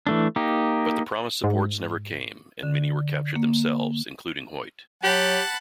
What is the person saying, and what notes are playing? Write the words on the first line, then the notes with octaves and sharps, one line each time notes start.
But the promised supports never came and many were captured themselves, including Hoyt.
E3 A3 D4
A#3 D#4 G4
G#2
D3
A#3
F#3 G4 F#5 A5 B5